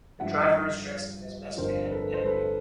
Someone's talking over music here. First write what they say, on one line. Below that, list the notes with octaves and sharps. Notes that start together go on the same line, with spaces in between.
The driver is dressed in his best band and bib.
G2 D3 F3 E5 F#5
G1 F2 D3 F3 A#4 C5
A4 B4
C5
A4 B4